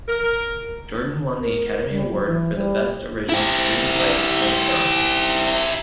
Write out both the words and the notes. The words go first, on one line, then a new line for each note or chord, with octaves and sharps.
Jordan won the Academy Award for Best Original Screenplay for the film.
A#4
A#4
A#4
G3
F#3
E3
G3
E4 G4